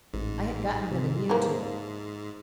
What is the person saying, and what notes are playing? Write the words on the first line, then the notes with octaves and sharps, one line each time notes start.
I had gotten them immune to it.
A1 G#2
C3
E3 F3 A#3 G#4